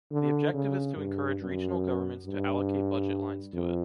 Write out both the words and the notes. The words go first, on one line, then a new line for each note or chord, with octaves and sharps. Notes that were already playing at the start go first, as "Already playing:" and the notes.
The objective is to encourage regional governments to allocate budgets lines to it.
D3
C#3
G2
F#2
G2
F2